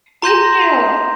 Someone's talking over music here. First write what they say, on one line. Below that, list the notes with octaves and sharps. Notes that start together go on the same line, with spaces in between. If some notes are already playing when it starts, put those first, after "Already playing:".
Thank you.
A#5 C6 G6 A#6